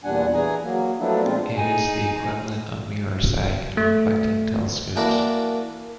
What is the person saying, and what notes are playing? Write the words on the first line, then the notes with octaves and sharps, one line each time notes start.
It is the equivalent of mirror sag in reflecting telescopes.
E2 A#2 G3 D4 F#5 G#5
E3 G#4 G#5 A#5
F#3 A#3
F3 F#3 A3 B3 D4 E4
A#2 G#3 C4 F4
D#4 G#4 G#5
A3
E3 F#3 A#3 D4 A#4 D5